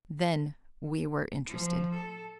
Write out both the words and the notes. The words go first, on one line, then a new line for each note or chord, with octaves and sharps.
Then we were interested.
F3
A4